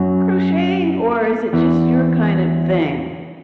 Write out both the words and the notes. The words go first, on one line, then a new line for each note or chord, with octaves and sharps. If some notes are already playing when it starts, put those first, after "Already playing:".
crocheting or is it just your kind of thing?
Already playing: F#2 F#3
E2 E3